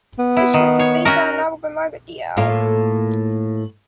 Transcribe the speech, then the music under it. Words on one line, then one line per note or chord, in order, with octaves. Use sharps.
The script is based on a novel by Margaret Diehl.
B3
E4
D#3
C#5
C#4 F#4 A#4
A2 A#3 F4